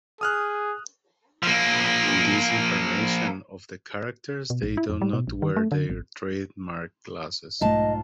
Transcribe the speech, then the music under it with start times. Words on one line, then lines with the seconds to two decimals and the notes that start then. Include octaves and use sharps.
In this incarnation of the characters they do not wear their trademark glasses.
0.21 G#4 D#6 F6 F#6
1.43 F3 A#3
4.50 B2
4.62 A#1
4.77 E4
4.90 F2
5.02 G3
5.13 B2
5.28 A#1
5.42 D#3
5.57 A3
5.72 D3
5.90 G#1
7.61 B1 G#2 A3 F4 D#5 A5